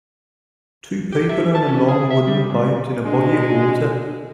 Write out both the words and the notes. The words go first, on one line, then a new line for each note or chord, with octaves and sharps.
Two people are in a long wooden boat in a body of water.
G4
E5
A5
C#4
G#4
E5
G3
G#2
B2 G#3 D4